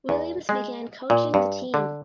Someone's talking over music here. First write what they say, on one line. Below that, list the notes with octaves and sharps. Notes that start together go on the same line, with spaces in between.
Williams began coaching the team.
E2
G#3
A#2
G2
D3